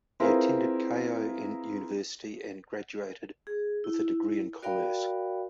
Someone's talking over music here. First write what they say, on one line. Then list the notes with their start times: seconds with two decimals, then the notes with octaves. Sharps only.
He attended Keio University and graduated with a degree in Commerce.
0.20 C4 E4 F4 G#4 A#4 B4
3.47 G#4
3.84 E4
4.63 F#4 A#4 D5 F5 G5 B5